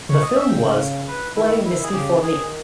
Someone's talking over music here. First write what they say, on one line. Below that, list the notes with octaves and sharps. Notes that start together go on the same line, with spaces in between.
The film was "Play Misty for Me".
C#5
D#5
E5
C#3 G5
B4
D#3 E4
D#3 E4
G#4
C#3 G4
D#3 G#4